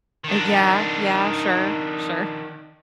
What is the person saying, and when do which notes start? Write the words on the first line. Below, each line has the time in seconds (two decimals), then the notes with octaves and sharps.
Eh, yeah, yeah. Sure, sure.
0.24 D#3 D4